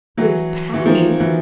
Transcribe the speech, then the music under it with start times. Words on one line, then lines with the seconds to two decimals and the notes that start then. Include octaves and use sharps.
"With Patty!"
0.18 E3 F#3
0.74 E3
0.86 D#3 F3
1.20 E3 F#3